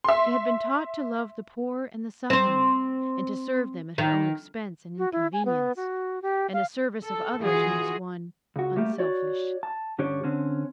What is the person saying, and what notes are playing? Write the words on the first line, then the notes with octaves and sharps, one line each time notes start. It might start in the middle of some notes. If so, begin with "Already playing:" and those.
She had been taught to love the poor and the suffering, and to serve them at her own expense and inconvenience, and the service of others makes one unselfish.
E5 C6
C4 C5
D#3
F#4
E4
G#5
B3
F#4
G4
F5
A4
E3 F4 F#4 G#4
C#2 F#4
G3 A3 A#3 G4
F#4 C#5 D5
A5
G2 D3 C#4 D4 G4 C#5
D3 C4 C#4